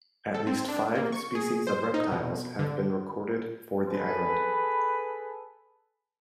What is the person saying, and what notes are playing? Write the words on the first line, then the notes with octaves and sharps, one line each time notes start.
At least five species of reptiles have been recorded for the island.
A4
C4
D4
A#3
C#6
G#4
C5
D#4
B2
D3
G#4 A4 B4